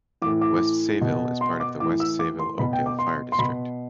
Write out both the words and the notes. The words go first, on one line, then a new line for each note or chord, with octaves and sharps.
West Sayville is part of the West Sayville-Oakdale Fire District.
A2 E3 D6
D6
B2
C6
D6
A2 E3 D6
E6
D6
C6
B2 B5
G5
D6
C6
C6
B2 B5